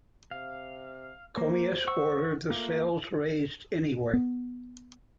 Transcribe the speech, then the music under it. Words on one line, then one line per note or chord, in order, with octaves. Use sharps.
Commius ordered the sails raised anyway.
C3 F5
A#3 C5
F#5 C#6 E6
A3 A#3 F4
B3